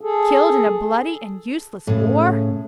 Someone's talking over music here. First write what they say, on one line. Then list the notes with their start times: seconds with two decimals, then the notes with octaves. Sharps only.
Killed in a bloody and useless war!
0.01 G#4 A4
1.87 A2 C#3